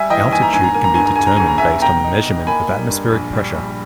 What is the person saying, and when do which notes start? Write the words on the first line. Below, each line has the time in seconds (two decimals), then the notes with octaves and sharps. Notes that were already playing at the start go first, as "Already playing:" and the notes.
Altitude can be determined based on the measurement of atmospheric pressure.
Already playing: G3 E5 G#5
0.10 E3 D#5 G5
0.31 D#2 G#5
0.43 A#5
0.53 G2 G#5
0.64 A#5
0.74 A#3 G#5
0.84 A#5
0.95 G2 G#5
1.06 A#5
1.16 C#2 G#5
1.27 A#5
1.37 C#2 G#5
1.48 A#5
1.58 B3 E5 G#5
1.82 B1 G5 A#5
2.04 D#4
2.26 D#4
2.47 A#3 G#5 B5
2.69 G3
2.90 G2
3.12 A#1
3.33 G3
3.54 A#1